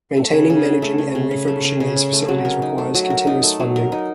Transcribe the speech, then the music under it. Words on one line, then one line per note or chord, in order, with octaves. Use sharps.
Maintaining, managing and refurbishing these facilities requires continuous funding.
A3
C#3
C#3
C#4
A3
C#3
C#3
C#4
A3
C#3
C#3
C#4
A3
F#3
A#4
D#4
A3
F#3
A#4
D#4
A3
F#3
A#4
D#4